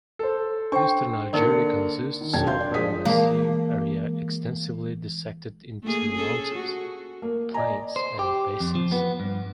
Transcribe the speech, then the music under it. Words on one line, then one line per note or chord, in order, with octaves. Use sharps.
Eastern Algeria consists of a massive area extensively dissected into mountains, plains, and basins.
A4 C5
D4 C5 G5 C#6
D3 A#3 D#4 A#4 D5 C#7
D#3
E1 F#3 D4 G5 A5 G#6
F5 C6 G6
D4
F3 G#3 C5 D5 D#6 B6
E3 G#3 A#3
A3 A#3 G#4
C#4 G#4 A4
F#4
A#3
D5 D#5 G#5 A#5
C5
G4
F2
F3
B3
G2